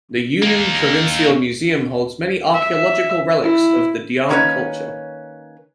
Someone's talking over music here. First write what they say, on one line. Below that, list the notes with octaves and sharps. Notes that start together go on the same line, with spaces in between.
The Yunnan Provincial Museum holds many archaeological relics of the Dian culture.
A#3 D#4
E5
E4
D#3 A#3 C#4 F4 B4 C#5